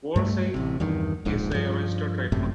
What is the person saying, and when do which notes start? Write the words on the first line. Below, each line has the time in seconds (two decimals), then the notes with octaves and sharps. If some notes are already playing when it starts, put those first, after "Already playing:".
'Wolsey' is a registered trademark.
0.16 G2 G3 A3
0.54 A1 C3
0.80 E2 G2 D#3
1.25 D1 A#1 G#2
1.54 G2 F3
2.32 G#1 F#2 A2 C3